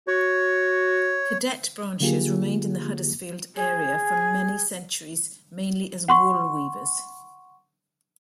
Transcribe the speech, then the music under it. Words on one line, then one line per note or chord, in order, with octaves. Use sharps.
Cadet branches remained in the Huddersfield are for many centuries mainly as wool weavers.
F#4 C#5
D3 F#3 A#3 F4 G4 G#4
G#4
F#5 C6 C#6